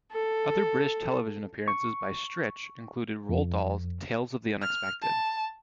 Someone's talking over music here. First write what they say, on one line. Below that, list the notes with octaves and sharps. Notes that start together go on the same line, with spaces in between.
Other British television appearances by Strich included Roald Dahl's "Tales of the Unexpected".
A4
C#6
F2
F6
A5